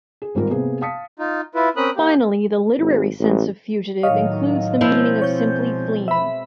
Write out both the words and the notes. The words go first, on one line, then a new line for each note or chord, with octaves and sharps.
Finally, the literary sense of "fugitive" includes the meaning of simply "fleeing".
G#4
G#1 G#2 G3 F4 A#4
C3 A#3 B3 G#4
F5 A5 D#6 B6 C#7
D#4 F4
E4 F4 B4
C4 C#4 A#4 B5 D#6 F#6
A#3 G4
G#1
A1
A2 D#3 F#3 C#5 D#5 F5
B2 F3 G#3 C4 E4
C#5 G6
E5 B5